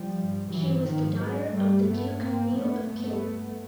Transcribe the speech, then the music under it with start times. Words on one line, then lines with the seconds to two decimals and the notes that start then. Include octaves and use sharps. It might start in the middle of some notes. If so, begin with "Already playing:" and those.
She was the daughter of the Duke Mu of Qin.
Already playing: F3 G3
0.16 G2
0.49 E3 F#3
0.83 G#2 D#3 F3
1.18 F#3 G#3
1.52 G2 G3 A3
1.86 A3 B3
2.20 G#2 A#3 C4
2.55 A3 B3
2.88 G2 A3 B3